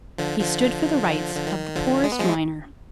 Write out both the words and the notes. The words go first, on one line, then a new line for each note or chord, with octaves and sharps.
He stood for the rights of the poorest miner.
D3 F3
D3 F3
D3
D#3
D3 F3
G#3
B3
F3 G#3